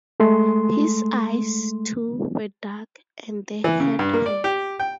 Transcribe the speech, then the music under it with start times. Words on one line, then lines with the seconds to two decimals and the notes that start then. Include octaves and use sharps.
His eyes, too, were dark, and they hurt her.
0.20 G#3 A3 A4 C6
3.64 E3
3.80 C#3
3.99 G2
4.13 A#3
4.26 D5
4.44 G4
4.79 G5